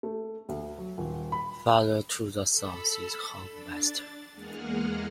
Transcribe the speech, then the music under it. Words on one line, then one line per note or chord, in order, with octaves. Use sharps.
Farther to the south is Hoffmeister.
A3
D2
F#3
D#1
B5
A4 B5 E6
D4 A6
E2 G#3 A#3 G#4 F#5 F6